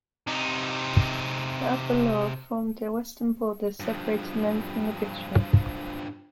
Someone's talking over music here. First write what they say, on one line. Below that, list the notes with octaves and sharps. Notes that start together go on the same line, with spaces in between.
The upper Loire formed their western border, separating them from the Bituriges.
C3 D#4
G2 F3